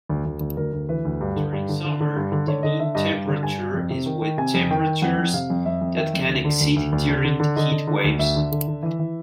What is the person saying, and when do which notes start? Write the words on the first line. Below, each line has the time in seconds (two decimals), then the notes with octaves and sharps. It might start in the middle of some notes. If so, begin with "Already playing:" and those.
During summer, the mean temperature is with temperatures that can exceed during heat waves.
0.09 D2
0.25 D2
0.40 D2
0.57 D2 A#4
0.73 D2
0.89 E3 B4
1.05 D2
1.21 G2
1.36 D3
1.53 G2
1.69 D3
1.84 D3
2.00 D3
2.16 G2
2.32 D3
2.47 D3 C#5
2.63 D3 D#5
2.80 D3 E5
2.95 G2 D#5
3.12 G2
3.27 D3
3.43 G2 G#5
3.58 G2
3.74 F2
3.90 C3
4.06 D#3
4.22 D#3
4.38 C3 G#5
4.54 F2
4.71 D#3 G5
4.86 D#3
5.02 F2 F#5
5.17 F2
5.34 C3 F5
5.50 F2
5.66 F2 E5
5.81 F2
5.97 D#3 E5
6.14 F2
6.29 D2
6.45 D3
6.61 D2
6.76 D2
6.92 D2
7.09 D3
7.24 D3
7.40 D3
7.56 D3 D#5
7.71 D3
7.87 D3
8.04 D2
8.19 D2 E5
8.36 D3
8.52 D3
8.68 D3
8.83 E3
8.99 E3